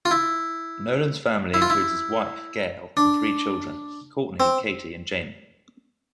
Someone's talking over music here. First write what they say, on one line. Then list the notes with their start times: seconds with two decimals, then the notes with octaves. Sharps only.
Nolan's family includes his wife, Gail, and three children, Courtney, Katie and Jamie.
0.05 F4
0.11 E4
1.54 E4
1.62 F4
1.70 E4
2.97 D4
4.40 C4